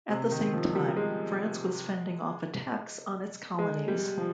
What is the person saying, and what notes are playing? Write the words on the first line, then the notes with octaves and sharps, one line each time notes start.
At the same time, France was fending off attacks on its colonies.
C3
D#3
F3
G3
G3
G#3
G#3
G3
F3